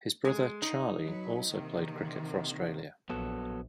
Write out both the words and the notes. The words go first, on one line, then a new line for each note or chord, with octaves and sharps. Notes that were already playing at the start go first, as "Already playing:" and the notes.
His brother, Charlie, also played cricket for Australia.
G#3
D#4
F#3 B4
C3 D#3 A#3
A#1 F#3 B3 A4